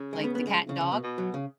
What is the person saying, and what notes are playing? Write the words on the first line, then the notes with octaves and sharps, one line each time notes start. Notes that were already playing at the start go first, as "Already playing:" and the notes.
like the cat and dog,
Already playing: C#3
G#3
B3
B3
G#3
C#3
C#3
B2
B2
F#3
C#3